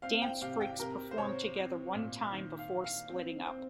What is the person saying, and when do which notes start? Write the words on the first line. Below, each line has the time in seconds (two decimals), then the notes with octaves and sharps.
Dance Freaks performed together one time before splitting up.
0.02 C4 F5
0.22 G5
0.42 C3 F5
0.61 G5
0.80 C3 A#4
1.11 C5
1.17 C3 C#5
1.56 C4
1.95 A#2
2.32 D#3
2.59 F5
2.71 A#3
2.84 F5
3.09 C4
3.47 C4